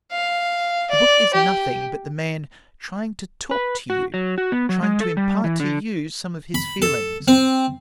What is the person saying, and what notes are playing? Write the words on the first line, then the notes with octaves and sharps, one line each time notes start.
The book is nothing but the man trying to talk to you, trying to impart to you some of his feelings.
F5
D5
G4
B4
F#4
F#3
F#4
B3
F#3
G#3
A4
G3
E3
D3
B5
A4
C4